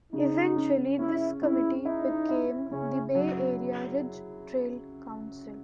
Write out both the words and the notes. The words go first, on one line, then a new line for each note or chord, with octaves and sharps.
Eventually, this committee became the Bay Area Ridge Trail Council.
C#3 D#4
C#4
C#4 E4
C#4 E4
D#4 E4
E4
C#3 C#4
F#3